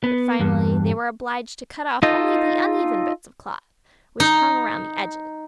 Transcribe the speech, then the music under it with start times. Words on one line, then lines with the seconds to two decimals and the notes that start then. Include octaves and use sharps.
But finally they were obliged to cut off only the uneven bits of cloth which hung around the edges.
0.04 B3
0.40 E2 G2
2.03 D#4 F4 A4 D#5
4.20 D#4